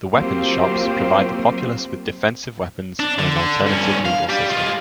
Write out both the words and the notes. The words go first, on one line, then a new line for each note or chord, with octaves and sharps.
The Weapon Shops provide the populace with defensive weapons and an alternative legal system.
F#3 A#3 C4 F4 G4 C5
D4
D3
G2 C#4
F5
G3 G4
G#3 F4